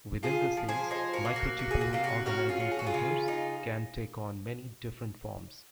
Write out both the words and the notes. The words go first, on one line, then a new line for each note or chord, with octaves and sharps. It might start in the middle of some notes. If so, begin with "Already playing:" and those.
Within the cells, microtubule-organizing centers can take on many different forms.
F3 F4 G#4
F3
G#4 C5
D#4 G#4 C5
F#4 A#4
A#3
F#4
C3 F#4
G#4
F#4
C3 F4
F#4
C#4 F#4 A#4
F4 G#4
F#3
G#4
F#4
F4 G#4
C#3
D#4